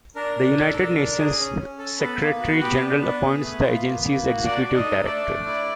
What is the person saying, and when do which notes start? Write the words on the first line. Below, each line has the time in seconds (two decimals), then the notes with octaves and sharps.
The United Nations Secretary-General appoints the agency's Executive Director.
0.16 D4 A#4
0.36 D4
0.57 A4
0.77 D4
0.97 D4
1.17 G#4
1.38 C#4
1.59 C#4
1.78 A4
1.99 B3 A4 B4
2.19 A#3
2.40 F#4
2.60 B3 G4 B4
2.80 D4
3.01 D4
3.21 G#4
3.42 A3
3.62 F4
3.83 A#3
4.03 A#3
4.23 F#4
4.44 D4 D5
4.64 D4
4.74 D#4 D#5
4.85 A4
5.04 A3 D4 D5
5.25 A3
5.46 E4